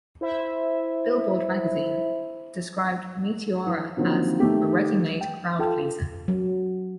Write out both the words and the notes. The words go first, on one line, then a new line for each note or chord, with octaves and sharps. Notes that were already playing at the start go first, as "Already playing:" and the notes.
"Billboard Magazine" described "Meteora" as "a ready-made crowdpleaser".
E4 C5 E5
E3
D3 D#3 F3 F#3 A#3 C4
D#3 A3 G4
G5
F4 A4 G5 A5
F#3